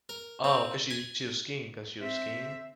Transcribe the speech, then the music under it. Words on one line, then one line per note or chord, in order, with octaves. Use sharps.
Oh, 'cause she's she was skiing 'cause she was skiing?
A#4
C4
G#5
C4 E5